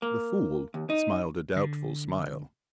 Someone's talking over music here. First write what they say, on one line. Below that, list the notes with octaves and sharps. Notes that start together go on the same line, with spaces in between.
The Fool smiled a doubtful smile.
A#3
D#2
D#4
D3